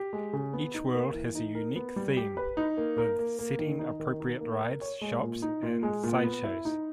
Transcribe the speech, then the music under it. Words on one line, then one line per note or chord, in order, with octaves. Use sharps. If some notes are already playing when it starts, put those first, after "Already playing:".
Each world has a unique theme, with setting-appropriate rides, shops, and sideshows.
Already playing: G4
G#3
C#3
B3
D#4
A#3
E3
D#4
A#4
B3
G3
G4
B4
D#4
A#3
A#4
A#3
A#3
D#3
D#4
D#3
D#4
A#3
A#4
C#5
G#3
A#2
D#4
A#2
G#3
A#2
B3
E4
D#4